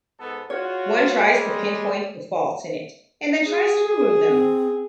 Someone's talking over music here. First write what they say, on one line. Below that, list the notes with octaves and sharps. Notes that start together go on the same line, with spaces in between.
One tries to pin-point the faults in it and then tries to remove them.
G#2 B3 A4
F4 F#4 C#5
G3 G#3
G#4
C4